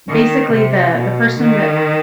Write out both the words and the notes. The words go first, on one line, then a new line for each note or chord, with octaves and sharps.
basically, the the person that
D#3
C3
B2
D#3